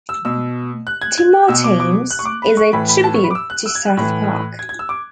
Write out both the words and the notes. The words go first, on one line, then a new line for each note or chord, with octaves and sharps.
Timotines is a tribute to South Park.
E6
B2 E6
F#6
G#6
G#6
B2 E6
D6
D6
F#6
C#6
D6
B5
C#6
A2 E3 B5
B5
A5
C#6
B5
D6
E6
F#6
E6
G#6
F#6
A2 E3
G#6
G#6
E6
D6